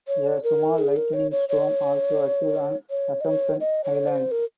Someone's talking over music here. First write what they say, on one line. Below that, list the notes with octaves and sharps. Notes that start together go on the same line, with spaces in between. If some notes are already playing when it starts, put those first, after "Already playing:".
A small lightning storm also occurred on Assumption Island.
C#5
A#4
G#4
A#4
C#5
C#5
C#5
C#5
D#5
C#5
D#5
C#5
C5
A#4